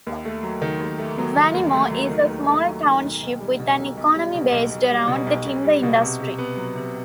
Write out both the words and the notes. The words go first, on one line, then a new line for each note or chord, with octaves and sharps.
Vanimo is a small township with an economy based around the timber industry.
D#2
A3
F#3
D#3
D#2
A3
F#3
D#3
D#2
A3
F#3
D#3
D#2
A3
F#3
D#3
B1
B1
G3
B2
B1
B1
G3
B2
B1
B1
G3
B2
B1
B1
G3
B2
C3
C3
B3
F#3
C3